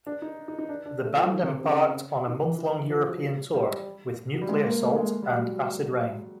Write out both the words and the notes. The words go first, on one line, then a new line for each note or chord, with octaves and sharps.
The band embarked on a month-long European tour with Nuclear Assault and Acid Reign.
D4
D#4
D#4
D#4
D4
D4
A3
F3
D#3
C3
C3
C#3
D#3
E3
E3
F3
F#3
G3
F#3
G3
G#3
A#3
A3
G#3
G3
F#3